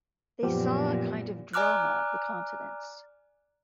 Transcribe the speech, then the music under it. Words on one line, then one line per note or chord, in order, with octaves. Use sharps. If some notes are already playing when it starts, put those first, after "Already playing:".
They saw a kind of drama of the continents.
F#2 A#2 F3 B3 G4
D5 G#5 A#5 D6 F6 F#6